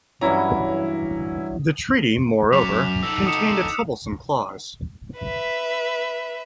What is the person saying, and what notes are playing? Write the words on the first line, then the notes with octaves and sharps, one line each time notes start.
The treaty, moreover, contained a troublesome clause.
G2 E3 F#3 C#4 E4 A#5
F#2 F#3 D6 B6 F7
D#4 A4 E6
D#6 C#7 E7
B4 E5